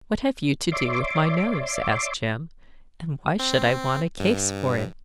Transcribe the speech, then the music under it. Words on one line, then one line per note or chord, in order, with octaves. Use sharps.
'What have you to do with my nose?' asked Jem. 'And why should I want a case for it?'
C#5 D5 E5 C6 D6
C4
G2